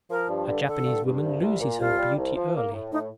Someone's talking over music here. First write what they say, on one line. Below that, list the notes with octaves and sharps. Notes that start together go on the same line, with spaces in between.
A Japanese woman loses her beauty early.
F3 A#4
G2
D3
D3 A4
G2
G2
C2
C2
A#2
C2 F4
G3
C2
F3
A#3
A2
A2 D#4